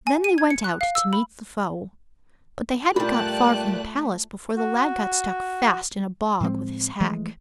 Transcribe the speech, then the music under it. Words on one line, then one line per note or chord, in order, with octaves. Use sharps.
Then they went out to meet the foe; but they hadn't got far from the palace before the lad got stuck fast in a bog with his hack.
G#5
D#7
G#6
C#7
F#6
F5
E6
B5
A#2 G3 A3 F4 D5 A5 F#6
F#4
A2 F3 G#3 C4
E3 F3 G#3 A3